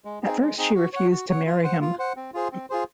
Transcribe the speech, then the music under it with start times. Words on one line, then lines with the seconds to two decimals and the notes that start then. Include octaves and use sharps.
At first she refused to marry him.
0.05 G#3
0.23 C4 D#4 G#4
0.40 G#3
0.58 C4 D#4 G#4
0.75 F#4
0.93 C#5 F#5
1.11 F#4
1.29 C#5 F#5
1.46 F4
1.63 C5 F#5
1.81 F4
1.99 C5 F#5
2.17 C4
2.34 F4 G#4 C5
2.52 C4
2.70 F4 G#4 C5